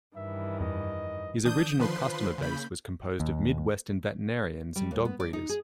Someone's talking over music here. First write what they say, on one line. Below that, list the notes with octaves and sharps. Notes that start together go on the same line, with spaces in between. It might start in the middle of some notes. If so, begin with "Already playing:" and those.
His original customer base was composed of Midwestern veterinarians and dog breeders.
G2 D#3 E3 E5
F2 D#5
E3 D4 D#6 G6
D3 D#3 F3 B4 C5 C6
C#3 A#3 B5 G6
D#2
G3
D#2
B3
D5
D#4
G#4